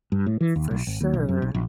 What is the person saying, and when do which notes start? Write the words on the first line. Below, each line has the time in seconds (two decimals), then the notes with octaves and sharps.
For sure.
0.12 G2
0.26 A2
0.41 E3
0.56 D#2
0.71 B1
0.87 G#1
1.01 D#2
1.14 B1
1.29 F#2
1.42 B1
1.54 A#1